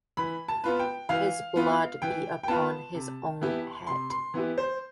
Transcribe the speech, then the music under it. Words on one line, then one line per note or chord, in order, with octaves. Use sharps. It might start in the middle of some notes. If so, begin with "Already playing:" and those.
His blood be upon his own head.
E3 B5
A5
B3 F4 B4
G5
E3 F5
B3 F4 B4
E3 G5
G5
B3 F4 B4 A5
C3
E3 B3 E4 G4
C3 C6
C6
E3 B3 E4 G4
C5